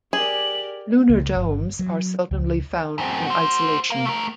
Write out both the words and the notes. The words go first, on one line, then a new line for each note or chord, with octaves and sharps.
Lunar domes are seldomly found in isolation.
G4 G#4 A#4 D5 F#7
C#2
G1
F#3
C#2
F#2 C4
F#4 C5
A#4 F5
A3 A#4